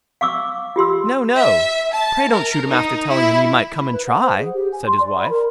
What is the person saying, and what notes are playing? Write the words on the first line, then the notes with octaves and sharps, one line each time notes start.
'No! no! pray don't shoot him after telling him he might come and try', said his wife.
F5 C#6 D6 E6
F4 G4 C6 E6
E5
A5
A#4
D#4
E4
B5
B4
F#5
C5
G#4
G4
G#5
C6
D5
B5
A#4